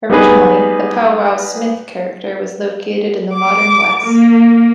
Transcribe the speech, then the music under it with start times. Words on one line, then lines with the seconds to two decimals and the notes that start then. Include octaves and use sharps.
Originally, the Pow Wow Smith character was located in the modern West.
0.10 G3 B3 D#4 G#4 B4
3.34 D6
4.03 A#3